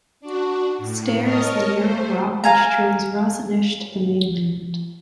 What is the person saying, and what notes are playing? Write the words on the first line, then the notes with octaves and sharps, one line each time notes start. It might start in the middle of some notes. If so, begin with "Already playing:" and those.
Steir is the narrow rock which joins Rosinish to the mainland.
D4 F#4
A2
A#4 C#5 D#5 A5 F6
A3 C5
F5 G#5 A#5